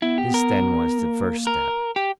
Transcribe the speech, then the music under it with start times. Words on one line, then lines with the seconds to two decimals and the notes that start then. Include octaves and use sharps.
This then was the first step.
0.01 B3 E4
0.18 G4
0.26 B3
0.34 A#4
0.99 A#3
1.47 A#4
1.96 G4